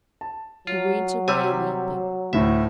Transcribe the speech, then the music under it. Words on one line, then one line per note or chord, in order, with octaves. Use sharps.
He went away weeping.
A5
F#3 F4
C3 G3 C5 C#5 G#5 E6
D2 A2 A3 E5